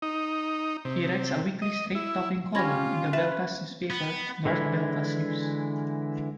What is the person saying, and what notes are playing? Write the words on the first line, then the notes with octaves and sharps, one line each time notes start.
He writes a weekly "Straight Talking" column in the Belfast newspaper "North Belfast News".
D#4
C3
D#5
E4
C#4 F4 G4 B5 G#6 A#6
B4 E5 A6 E7
B3
D3 E3 G#3 E4